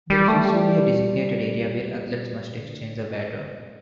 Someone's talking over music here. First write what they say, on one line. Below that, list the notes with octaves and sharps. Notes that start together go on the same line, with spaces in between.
There is usually a designated area where athletes must exchange the baton.
G3
A3
G3
D3
C#4
D4
C#4
B3
C#4